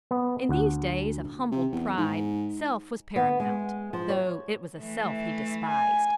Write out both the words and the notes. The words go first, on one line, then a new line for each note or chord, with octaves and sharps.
In these days of humbled pride self was paramount, though it was a self he despised.
B3
D2 F#5
C3
E2
G#2
B3
G#3
F3
C#5
E3 A3
G#5